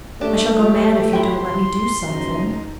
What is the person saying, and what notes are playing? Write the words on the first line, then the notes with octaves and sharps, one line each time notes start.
I shall go mad if you don't let me do something.
A3 D4 G4
F#3 F4 G4
E4 G5 C6
F#1 F3 D#4